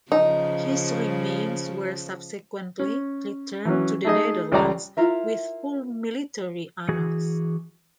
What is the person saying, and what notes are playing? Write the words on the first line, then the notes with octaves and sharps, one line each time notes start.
His remains were subsequently returned to the Netherlands with full military honours.
C#3 F3 D#4
C#4
E3 F#3 C#4
A3 D#4 G#4 D#5
C#2 G3 A4 D5 A#5
E4 F4 A#4 E5
E3 F#4 G#4